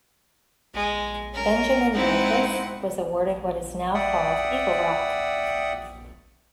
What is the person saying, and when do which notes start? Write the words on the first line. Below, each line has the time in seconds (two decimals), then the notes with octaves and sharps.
Benjamin Dreyfus was awarded what is now called Eagle Rock.
0.74 G#3
1.33 C#4 A#4
1.94 G#3 C4 D#4 E4 F#5
3.94 D5 E5 F#5 G5 D#6